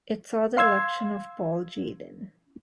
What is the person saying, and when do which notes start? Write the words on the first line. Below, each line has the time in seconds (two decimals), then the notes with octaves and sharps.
It saw the election of Paul Jadin.
0.57 F5 C6 E6 G#6